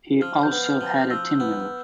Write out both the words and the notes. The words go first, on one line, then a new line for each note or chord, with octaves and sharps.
He also had a 'tinmill'.
F3 F6
G6
B3
F6
F3
G6
F3 E6
B3